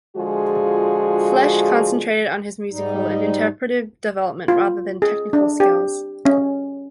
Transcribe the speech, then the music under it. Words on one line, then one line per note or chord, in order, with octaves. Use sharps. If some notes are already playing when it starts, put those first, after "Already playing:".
Flesch concentrated on his musical and interpretative development rather than technical skills.
D3 F3 G#3 F4 F#4 G#4
G#2 G3 D#4
F4
G#4
D4
G4
C#4